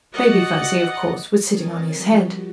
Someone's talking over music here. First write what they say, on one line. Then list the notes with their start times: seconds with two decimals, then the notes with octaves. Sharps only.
Baby Fuzzy, of course, was sitting on his head.
0.13 F#4 D5 D#5 F#5
1.47 C4 A#4 C#5 D#5 G#5 A6
1.92 F3 G3 F#4